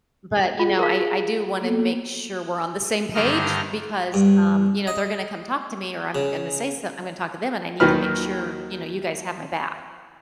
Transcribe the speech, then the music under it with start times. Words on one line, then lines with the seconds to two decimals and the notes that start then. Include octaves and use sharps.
But, you know, I I do wanna make sure we're on the same page because, um, you know, they're gonna come talk to me or I'm gonna say so I'm gonna talk to them and I need to make sure, you know, you guys have my back."
0.59 F4 G#4
0.79 A#4 F5
1.61 A#3 B3 A4
3.14 G2 D3 D#3 D#5 F6
4.14 G2
4.87 D#5
6.15 C#3
7.80 D#2 D#3 F#3 F#4 B4 F6